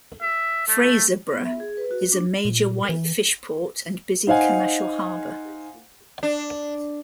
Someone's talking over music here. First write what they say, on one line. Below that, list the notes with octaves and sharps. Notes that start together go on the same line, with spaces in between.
Fraserburgh is a major white fish port and busy commercial harbour.
E5
A3
B3
E5
G#4
B4
F#4
D4
A#2
E3
D#4 C5 F5 F#5 G#5
D4